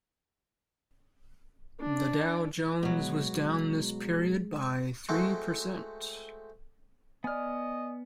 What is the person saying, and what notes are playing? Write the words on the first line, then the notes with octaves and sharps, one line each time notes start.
The Dow Jones was down this period by three percent.
D4
B2 F#3 G#3
G#3 A3 C4 F#4
B3 D5 D#5 G#5 F6